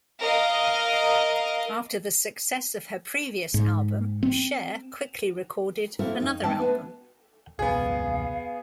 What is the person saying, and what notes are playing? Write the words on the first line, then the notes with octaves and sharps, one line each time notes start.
After the success of her previous album, Cher quickly recorded another album.
A#4 D#5 F5
G#2
C4
A#3 C4 E4 F#4 A4 A#4
F2 D#4
G#3 C4 D4 D#4 G5 A5
A3 B3 D4 B4
E1 C#2 F#2 B3 G#4 F5